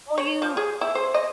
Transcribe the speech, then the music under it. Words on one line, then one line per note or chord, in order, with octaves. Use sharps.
Well, you
C#5
F3
G#4
E4
C5
D#5